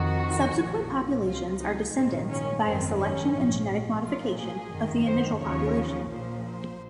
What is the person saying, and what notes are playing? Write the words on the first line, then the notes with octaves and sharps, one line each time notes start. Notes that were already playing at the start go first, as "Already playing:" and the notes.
Subsequent populations are descendants, via selection and genetic modification, of the initial population.
Already playing: F2 D#3 F#4
A#1 A#2 F3
C#2 C3 F3 F4
D#4
A#1 G#2 D#3 C4
C#4
G#1 F#2 D#3 C4
C#4
A#1 G#2 F3
A#1 A#2 F3 F4
G#4
G#1 F#2 D#3
C5
D#2 C#3 F3 C#5
A#1 A#2 F3 C5
C5